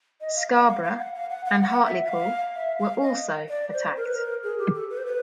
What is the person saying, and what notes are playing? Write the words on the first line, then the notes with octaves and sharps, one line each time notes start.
Scarborough and Hartlepool were also attacked.
D#5
F5
F#5
F5
F5
F#5
F5
F#5
F#5
F5
F#5
E5
E5
F5
E5
F5
D#5
D5
C5
A#4
B4
A#4
G#4
G4
A4
B4
C5
B4